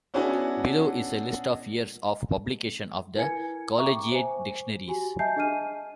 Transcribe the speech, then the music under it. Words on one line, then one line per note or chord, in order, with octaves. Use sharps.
Below is a list of years of publication of the Collegiate dictionaries.
B3 C#4 D4 E4 F#4 G#4
E4 A#4 B4 G#5 G#6 C#7
E5 G5 A#5 C#6 D6
C5 G#5
F#4 G4 G#5
D#5 E5 G#5 A5 G6 C7
D4 G#4 D#5 G#5 F6 D#7